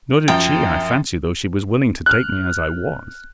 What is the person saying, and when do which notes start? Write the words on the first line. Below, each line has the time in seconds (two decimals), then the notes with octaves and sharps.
Nor did she, I fancy, though she was willing to take me as I was.
0.28 F#2 F3 G5
2.06 F6 F#6